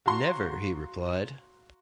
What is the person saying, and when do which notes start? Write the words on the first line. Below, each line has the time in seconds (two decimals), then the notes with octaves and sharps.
'Never,' he replied.
0.06 F#4 F5 A#5 C6 C#6